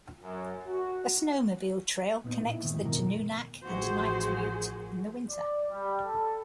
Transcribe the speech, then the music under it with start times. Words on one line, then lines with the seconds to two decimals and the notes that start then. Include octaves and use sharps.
A snowmobile trail connects the Tununak and Nightmute in the winter.
0.22 F#2
0.66 F#4
2.24 A#2 B3 C#4 D#4
2.41 A#2 E4
2.63 F2 G#2 D#3 E3
2.84 F2 B2 A#4
3.63 A1 D#3 F3 F#4 G#4 C5
5.30 D5
5.71 G3
6.06 A4